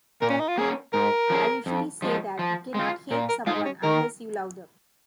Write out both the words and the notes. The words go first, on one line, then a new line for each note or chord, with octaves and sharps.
I usually say that you cannot hate someone unless you love them.
A#2 A#4
C#4
D#4
F4
A#3 C#4 G#4
G#2 A#4
F3 C#4 G#4
F2
F3 G#3
F3
G#3 F4
A#2 A#4
A#4
G#3 D#4 F4 G#4
C#4
D#3 A#4